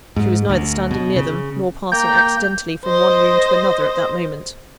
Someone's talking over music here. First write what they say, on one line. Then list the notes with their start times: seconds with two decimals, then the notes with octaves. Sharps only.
She was neither standing near them, nor passing accidentally from one room to another at that moment.
0.16 G#2
0.49 D2
0.91 B2
1.16 C#3
1.92 A#3 G5 A#5 G6
2.85 C5 D#5